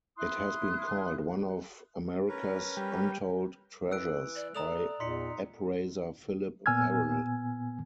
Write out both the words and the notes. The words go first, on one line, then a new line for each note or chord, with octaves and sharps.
It has been called one of "America's Untold Treasures" by appraiser Phillip Merrill.
E4 C6 D#6 F#6
C#4 A#4 B4
G3
E3 E6 F#6 D7
D5
A3 D5 A#5 D#6 F7
E2 A#2 D#4 C6 B6 C#7
A#2 B3 G#5 E6 F6 G#6